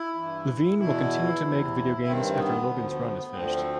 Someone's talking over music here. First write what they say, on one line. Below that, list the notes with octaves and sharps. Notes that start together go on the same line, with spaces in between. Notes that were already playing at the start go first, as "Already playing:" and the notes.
Levine will continue to make video games after "Logan's Run" is finished.
Already playing: E4
G2 E3
E2 B2 E4
E2 C3 E3
G2 D#3 C4
B3
D2 D3 F3
D2 D3 F3 C4